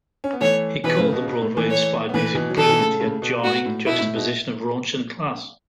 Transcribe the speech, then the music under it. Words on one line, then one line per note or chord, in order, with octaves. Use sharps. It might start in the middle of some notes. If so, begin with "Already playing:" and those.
He called the Broadway-inspired music "brilliant yet jarring juxtaposition of raunch and class".
C#4
B3
E3 A3 C#5
B2 E3 B4
A2 C#3
B2
C#3
B2
A2
E3 A3
C#5
B3
E3 A3 B4
B2 E3
F#3
B2 E3 A4
E3
A2 C#3
A2 C#3
B2
A2 F#4
A2
B2 E4
A2
B2